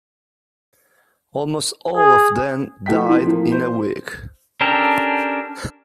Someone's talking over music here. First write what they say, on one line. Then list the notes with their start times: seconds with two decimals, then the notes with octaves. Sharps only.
Almost all of them died in a week.
1.97 G#4
2.86 F3 A3 G5 B6
3.08 E3 F3 C4
3.25 A2 F3 A#3
3.52 C5
4.61 C#4 D4 G4 A4 A#4